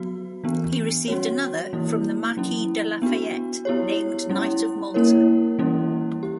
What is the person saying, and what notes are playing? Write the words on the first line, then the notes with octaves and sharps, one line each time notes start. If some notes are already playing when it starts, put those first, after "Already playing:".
He received another from the Marquis de Lafayette named Knight of Malta.
Already playing: F#3 B3 F#4
E3 B3 D4
G3 C#4 F#4 C#5
E3 A#3 E4
F#3 C#4 E4
B3 D4 F#4
B3 E4 G4 C#5
G3 C#4 E4
A#3 C#4 E4 A#4 C#5
E3 G3 A#3 C#4 E4
G4